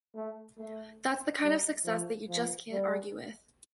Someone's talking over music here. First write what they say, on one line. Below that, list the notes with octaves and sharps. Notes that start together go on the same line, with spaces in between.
That's the kind of success that you just can't argue with.
A3
A3
G3
F3
F3
G3